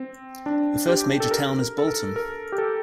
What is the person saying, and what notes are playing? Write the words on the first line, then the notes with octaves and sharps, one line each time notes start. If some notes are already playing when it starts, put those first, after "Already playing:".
The first major town is Bolton.
Already playing: C4
D4
G4
A4
A#4
A#4
A4
A#4
A#4
G4
A4